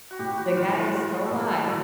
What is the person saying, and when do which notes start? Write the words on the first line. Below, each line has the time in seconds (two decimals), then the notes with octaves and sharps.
the guy is still alive,
0.11 F#4
0.19 A2 G4
0.38 F#4
0.56 E3 F4
0.75 F4
0.94 G#3 F#4
1.25 A4
1.30 A2 G#4
1.49 A4
1.68 F#3 A4